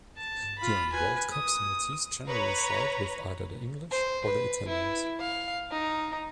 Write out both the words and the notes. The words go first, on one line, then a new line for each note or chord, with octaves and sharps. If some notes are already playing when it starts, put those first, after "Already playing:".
During World Cups Maltese generally side with either the English or the Italians.
A5
F4 B5
B4 G#5
D#6
B4 C#5 A#5
C5
B4
E4
F5
D#4